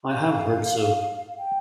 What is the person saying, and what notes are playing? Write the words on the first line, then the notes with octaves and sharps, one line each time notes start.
I have heard so.
F5
G5